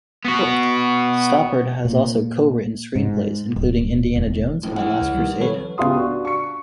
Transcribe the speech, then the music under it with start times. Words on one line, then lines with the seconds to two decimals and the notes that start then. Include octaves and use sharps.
Stoppard has also co-written screenplays including "Indiana Jones and the Last Crusade".
0.25 B3 F#4
1.85 A#2
2.95 G#2
3.56 D1
4.16 E1
4.63 F2 A2
4.76 E4 F#5
5.02 C#2
5.14 D#3 G3
5.41 F2 A4 B4 C#5
5.78 C#2 B3 F4 G4 C6 D#6
5.94 D4 F#4
6.25 C#6 C#7